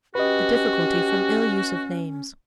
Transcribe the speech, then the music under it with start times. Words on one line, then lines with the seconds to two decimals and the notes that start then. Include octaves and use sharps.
The Difficulty from ill Use of Names.
0.15 C#4 F#4 G4 B4 D#5